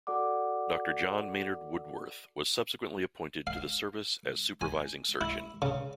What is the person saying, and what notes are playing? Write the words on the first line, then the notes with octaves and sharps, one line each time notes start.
Doctor John Maynard Woodworth was subsequently appointed to the Service as Supervising Surgeon.
F#4 A4 D5 F#5 D6
F5
G#5
E4
C#3